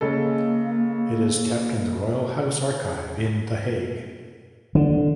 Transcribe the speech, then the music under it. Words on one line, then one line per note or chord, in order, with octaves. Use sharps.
It is kept in the Royal House Archive in The Hague.
C#3 G#3 A#3 A4
D3